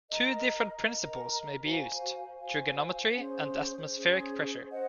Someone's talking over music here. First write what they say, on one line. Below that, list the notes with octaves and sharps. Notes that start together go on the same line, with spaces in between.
Two different principles may be used: trigonometry and atmospheric pressure.
A#4 D#5 A#5
A#4 D#5 A#5
F#4 C5 F5 G#5
F#4 C5 F5 G#5
C#4 G#4 C5
C#4 G#4 C5
C5 D#5 F#5